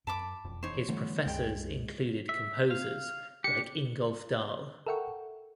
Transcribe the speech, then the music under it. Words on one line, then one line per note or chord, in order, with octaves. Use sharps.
His professors included composers like Ingolf Dahl.
F#2 A5 B5 D6
E1 F2
E2 D#4 C5 C#5
D3 E3 G3 A3 B3
C2 F#2 G#3 G5
E5
F5
D4 G4 C#7
A4 A#4 E5 F#5 G5 C#6